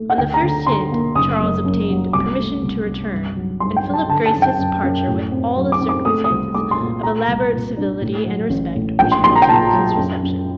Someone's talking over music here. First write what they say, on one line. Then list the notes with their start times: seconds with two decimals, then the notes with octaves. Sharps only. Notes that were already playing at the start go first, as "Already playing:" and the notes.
On the first hint, Charles obtained permission to return; and Philip graced his departure with all the circumstances of elaborate civility and respect which had attended his reception.
Already playing: A3
0.10 F#5
0.18 D2 G5
0.34 A#5
0.42 D3
0.67 D3 C6
0.92 A#3
1.15 F#1 D#6
1.41 F#2
1.65 F#2
1.90 F#3
2.13 C2 D6
2.38 A3
2.63 C2
2.87 C2
3.11 G2
3.36 F#3
3.60 G2 C6
3.76 G5
3.85 F#3
3.94 A5
4.09 D3 A5
4.26 A5
4.34 F#2
4.42 G5
4.58 F#2
4.83 F#2
5.08 A2
5.31 C4
5.56 F#3
5.72 D6
5.80 C4
5.89 D6
6.05 A3 D#6
6.24 D#6
6.30 C2
6.54 A3 D6
6.71 C6
6.79 A#2
7.03 A3 A#5
7.28 C2
7.52 A#2
7.77 D4
8.01 A2
8.25 F#3
8.50 A1
8.75 A2
8.99 A#1 G5
9.12 C6
9.24 A#1 C6
9.36 A#5
9.42 G5
9.48 A#2 A5
9.72 F#3
9.97 F#2
10.22 F#2